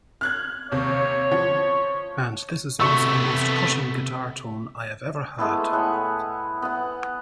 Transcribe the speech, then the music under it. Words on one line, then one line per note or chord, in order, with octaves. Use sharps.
And this is also the most crushing guitar tone I have ever had.
F6 F#6 G#6
D#2 C3 C#5
F3
C3 A3 B3 C#6 E6
G#3 A3 B3 E4
A2 F#5 G#5 B5
B3 F#5